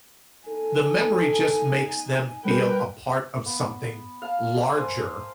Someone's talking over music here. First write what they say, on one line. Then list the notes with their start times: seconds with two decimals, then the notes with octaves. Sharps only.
the memory just makes them feel a part of something larger
0.48 D#4 A4 G#5
2.45 G3 A#4 B4 G5
3.46 B3
4.22 F5 A5
4.76 A#4 C5 G#5